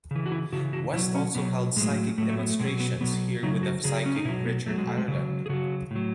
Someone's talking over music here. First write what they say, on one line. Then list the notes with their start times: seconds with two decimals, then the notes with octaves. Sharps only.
West also held psychic demonstrations here with the psychic Richard Ireland.
0.11 C#3 E3
0.26 F#4
0.32 E4
0.53 C#3 E3 F#4
0.73 F#4
0.93 B2 E4
0.96 F#3
1.15 C#4
1.35 B2 F#3 B3
1.76 A2 F#3 G#3
2.18 A2 A3
2.21 F#3
2.29 A3
2.39 B3
2.50 A3
2.60 B2 F#3 G#3
2.80 B3
3.01 B2 F#3 B3
3.43 C#3 F#3 D#4
3.63 F#4
3.84 C#3 F#3 G#4
4.06 C#4
4.16 D#4
4.25 B2 E4
4.29 F#3
4.45 B3
4.66 B2 F#3 A3
4.78 G#3
4.87 A3
4.97 G#3
5.08 C#3 F#3
5.46 G#4
5.49 C#3 F#3 F#4
5.91 A2 F#3